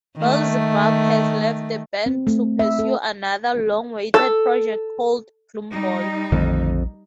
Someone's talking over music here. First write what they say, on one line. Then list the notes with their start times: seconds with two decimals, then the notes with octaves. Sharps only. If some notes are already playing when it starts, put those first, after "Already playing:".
Beelzebub has left the band to pursue another long-awaited project called Gloomball.
0.18 D#3 A3
2.06 C4
2.27 A3
2.59 E5
2.79 A4
4.14 A4
5.71 G3 D#4
6.32 A#1 F2 D3 D#3 A3